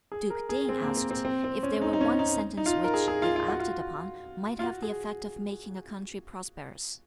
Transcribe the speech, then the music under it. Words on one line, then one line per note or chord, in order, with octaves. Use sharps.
Duke Ting asked if there were one sentence which, if acted upon, might have the effect of making a country prosperous.
G#4
A#4
G#4
C4
A#3
C4
C4
C4
C4
C#4
D#4
D#4
C#4
D#4
D#4
F4
A#4
G#4
G#4
F4
F4
F#4
F4
F4
F#4
G#4